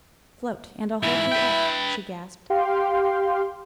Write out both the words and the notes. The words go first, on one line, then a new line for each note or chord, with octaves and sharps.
"Float, and I'll hold you up," she gasped.
G#2 E3 E4
B4 G5
G4 F5 G5 C6